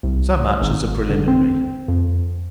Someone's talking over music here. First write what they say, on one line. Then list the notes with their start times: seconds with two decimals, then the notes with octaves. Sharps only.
So much as a preliminary.
0.03 C2
0.62 G#1
1.10 D3
1.28 C4
1.88 F2